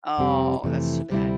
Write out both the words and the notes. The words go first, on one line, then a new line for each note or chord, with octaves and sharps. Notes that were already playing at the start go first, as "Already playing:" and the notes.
Oh, that's too bad.
F2 C3 G3 C4 G4
F2 C3 E3 A3
D2 C3 G3 C4 E4